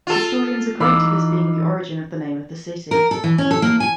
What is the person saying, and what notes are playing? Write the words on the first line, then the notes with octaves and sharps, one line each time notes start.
Historians agree to this being the origin of the name of the city.
F4 A4
E3 D#4 F5 B5 D6
A#4
A4
E3
C#4
A4
A#3
G#5